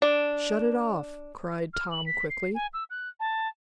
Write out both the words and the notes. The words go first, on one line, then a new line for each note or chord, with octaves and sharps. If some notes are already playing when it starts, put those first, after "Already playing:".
"Shut it off!" cried Tom quickly.
D4
F6
F#7
B6
C7
G#5
E6
F#6
A5